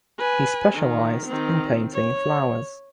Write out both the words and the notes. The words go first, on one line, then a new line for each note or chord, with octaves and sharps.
He specialized in painting flowers.
B4 G#5
D#3
D#3 C4
C#5